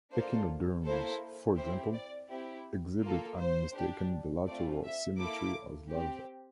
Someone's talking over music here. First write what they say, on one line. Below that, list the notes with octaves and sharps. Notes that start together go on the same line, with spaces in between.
Echinoderms, for example, exhibit unmistaken bilateral symmetry as larvae.
A#3 D4 F4 A4 C5
A#3 E4 A4 C5
C4 E4 G4 C5
D5
C4 E4 G4
A#3 F4 A4
C5
D4 G4
A3 C4 F4 D5
E5
A#3 E4 A4 D6
C4 G4